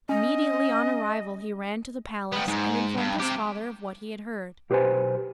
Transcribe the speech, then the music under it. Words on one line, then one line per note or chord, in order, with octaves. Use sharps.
Immediately on arrival he ran to the palace and informed his father of what he had heard.
C#4 D#5
G3 B3
G#2
G2
C3 G4
B1 G4 G#4 B4 C5 G#5